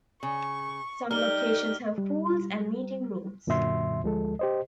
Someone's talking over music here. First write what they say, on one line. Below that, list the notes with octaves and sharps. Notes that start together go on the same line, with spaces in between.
Some locations have pools and meeting rooms.
C#3 C#6
G3 D#4 G4 F6 G7
G3
F#2 A#2 D3 F#3 E5 C6
D2 F3 G#3 A4
G4 C5 D#5